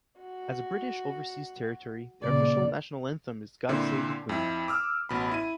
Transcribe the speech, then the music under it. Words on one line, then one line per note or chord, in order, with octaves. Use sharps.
As a British Overseas Territory, the official national anthem is "God Save the Queen".
F#4
A#2 C#3 D5
A#2 D3 C4 E4
F2 E4
D6 E6 F6
A1 B2 B5
E4 D#7